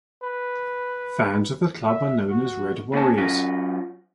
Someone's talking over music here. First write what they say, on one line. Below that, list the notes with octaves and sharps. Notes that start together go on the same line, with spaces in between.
Fans of the club are known as Red Warriors.
B4
E5
F#4
A#2 C4 C#4 G#4 A5
F#3 C#4 F4 F#4